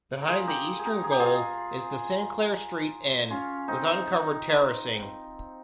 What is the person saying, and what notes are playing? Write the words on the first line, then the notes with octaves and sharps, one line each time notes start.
Behind the eastern goal is the "Sinclair Street" end, with uncovered terracing.
A#4
F4 G#4
G4 A#4
G#4
G4 A#4
G#4
G4
F4 G#4
C#4 F4
C4 D#4